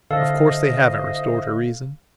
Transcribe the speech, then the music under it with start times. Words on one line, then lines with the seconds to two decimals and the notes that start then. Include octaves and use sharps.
Of course, they haven't restored her reason.
0.11 D3 E4 A4 C5 D#5 F5